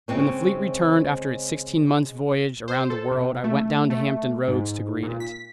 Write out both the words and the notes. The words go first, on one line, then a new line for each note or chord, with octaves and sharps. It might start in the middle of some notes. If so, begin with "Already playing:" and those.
When the fleet returned after its sixteen months' voyage around the world I went down to Hampton Roads to greet it.
C#3 G#3 C4 C#4
C5
A4
C3
A3
A3
G#2
A#2
B6